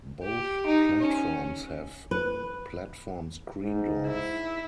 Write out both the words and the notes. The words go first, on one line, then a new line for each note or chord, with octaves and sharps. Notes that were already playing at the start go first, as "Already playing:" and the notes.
Both platforms have platform screen doors.
G4
D#4
C#4
B4
G#2
E4